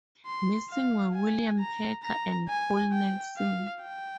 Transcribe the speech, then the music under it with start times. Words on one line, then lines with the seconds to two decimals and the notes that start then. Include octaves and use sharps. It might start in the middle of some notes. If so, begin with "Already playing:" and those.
Missing were William Perka and Paul Nelson.
0.26 C6
0.70 F5
1.15 G#5
1.60 A#5
2.03 A#5
2.48 G#5
2.92 G5
3.37 F5
3.82 G5